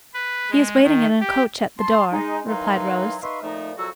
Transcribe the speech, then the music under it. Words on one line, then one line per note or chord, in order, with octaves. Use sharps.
'He is waiting in a coach at the door,' replied Rose.
B4
G#3
D#3
G4
A5 C6
G#3 D#4
D#3 E3 F#3 D#4 F5 C6
D#4 B4 E5 F5 C6 C#6
F2 A#2 F3 A3 D#4
C2 F2 F#3 F#4 E6